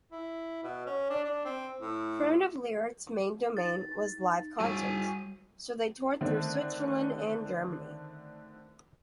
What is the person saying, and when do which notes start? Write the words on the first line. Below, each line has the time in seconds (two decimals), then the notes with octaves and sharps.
Primitive Lyrics' main domain was live concerts, so they toured through Switzerland and Germany.
0.12 E4
0.64 B2
0.87 C#4
1.10 D4
1.25 D4
1.45 C4
1.80 A2
3.57 D#4 A6
4.60 G3 F#4 G5 G#5 D#7
6.21 D3 D#3 A3 C4